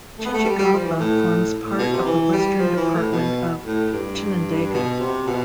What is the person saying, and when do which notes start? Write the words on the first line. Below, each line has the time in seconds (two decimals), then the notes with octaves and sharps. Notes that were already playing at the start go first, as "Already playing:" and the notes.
Chichigalpa forms part of the Western department of Chinandega.
0.18 A3
0.25 B3
0.34 A3
0.45 G3
0.58 G3
0.72 F3
0.84 E3
0.99 A2
1.65 A2
1.78 B2
1.93 C3
2.05 E3
2.32 G3
2.59 F3
2.77 E3
2.94 A2
3.12 B2
3.66 A2
3.92 G2
4.73 B2
4.99 C3
5.26 B2